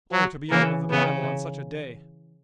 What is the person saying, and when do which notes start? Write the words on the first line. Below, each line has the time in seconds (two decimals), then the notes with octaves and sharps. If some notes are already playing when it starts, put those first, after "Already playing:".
Oh, to be out of the battle on such a day!
0.12 F#3
0.50 C#3 E3 A#3
0.90 C#3 B3